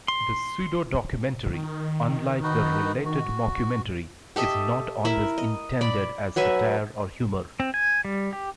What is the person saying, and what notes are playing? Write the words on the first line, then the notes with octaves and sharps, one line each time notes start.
The pseudo-documentary, unlike the related mockumentary, is not always intended as satire or humor.
C6
D#3
D#4 F#4 B4
F#4
G4 A4 D#5 E5
E4 A#4 E5
D#5
D5 B5
F#3 B4 E5 G#5
C4
G#5
G3
G4